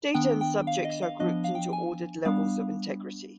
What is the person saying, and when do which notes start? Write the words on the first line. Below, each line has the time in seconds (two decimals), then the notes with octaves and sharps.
Data and subjects are grouped into ordered levels of integrity.
0.14 D#3 B3 D4 G5
0.41 G5
0.67 F5
0.85 D#5
1.02 F5
1.20 F3 B3 D4 D#5
1.44 F5
1.55 G5
1.73 G#5
2.25 G3 B3 D4 F5